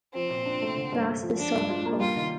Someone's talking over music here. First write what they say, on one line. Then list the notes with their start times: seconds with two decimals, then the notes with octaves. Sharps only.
Last is Sullivan Gulch.
0.15 F3 C4
0.30 A#2
0.46 D4
0.62 A3
0.76 D3
0.92 G2
1.08 A3
1.22 F3
1.38 F3 D4
1.54 G2
1.69 F4
1.86 A#3
2.00 G3 F4
2.16 D#3